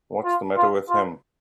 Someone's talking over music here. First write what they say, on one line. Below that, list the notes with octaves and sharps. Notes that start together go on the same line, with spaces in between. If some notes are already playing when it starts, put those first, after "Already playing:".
What's the matter with him.
F4
F4
F4